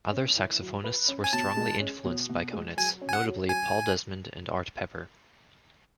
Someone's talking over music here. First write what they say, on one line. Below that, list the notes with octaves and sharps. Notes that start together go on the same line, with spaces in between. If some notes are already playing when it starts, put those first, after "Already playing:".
Other saxophonists were strongly influenced by Konitz, notably Paul Desmond and Art Pepper.
C#4
E4
F#3
B4
C#4
G#5
B2 A5
G#3
C#4
B2
B2
G#3
F#3 G#5
C#4
G#5
F#5
F#4
F#3 G#5